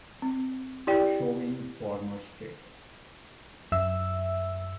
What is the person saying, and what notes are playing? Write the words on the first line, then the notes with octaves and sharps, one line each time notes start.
Showing former status.
C4
E4 G4 D5 G5
F#2 E5 E6